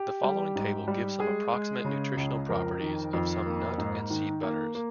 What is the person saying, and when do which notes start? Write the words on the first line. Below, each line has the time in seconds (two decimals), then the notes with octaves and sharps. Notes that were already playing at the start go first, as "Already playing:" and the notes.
The following table gives some approximate nutritional properties of some nut and seed butters.
Already playing: G4
0.23 G3
0.56 G#2
0.88 G3
1.20 G#3 G#4
1.53 G#3
1.84 C#3
2.17 C#2
2.49 F2 A#4
2.81 D#3
3.13 F2
3.46 A#3
3.78 G#2
4.10 D#3
4.43 A#3
4.75 A#3